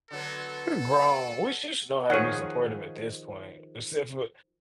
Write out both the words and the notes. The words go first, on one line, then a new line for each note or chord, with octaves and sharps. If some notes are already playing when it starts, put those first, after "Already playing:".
We're grown. We sh should know how to be supportive at this point, except for,
D3 F#3 B3 A4
D#3 F3 G#4 C#5 F#5